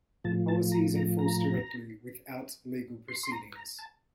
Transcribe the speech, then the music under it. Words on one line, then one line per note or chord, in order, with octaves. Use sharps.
The policy is enforced directly, without legal proceedings.
A2 F3 A5
A5
A#5
A#5
A#5
C6
C6
A#5
A#5
A5